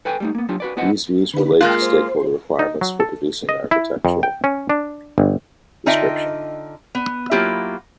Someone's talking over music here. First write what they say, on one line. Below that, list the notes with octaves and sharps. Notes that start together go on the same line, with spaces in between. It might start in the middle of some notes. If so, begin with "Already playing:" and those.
These views relate to stakeholder requirements for producing an Architectural Description.
A4 B4 G5 G#5
G3 A3 D#4
A#3 B3
F#3 D4 F4 G4
F#4 B4 D5
B3 E4 B4 C5 D#5 F#5
D3 B4
G#3 A#3 F4 G5 A5 F#6
C5
D#4
F#3
A4
D#5
E4
F2
G5
C#4
D4
G1
D3 D#4 F4 D#5 E5 G5
B3
F#3 A#3 B3 E4 F4 G4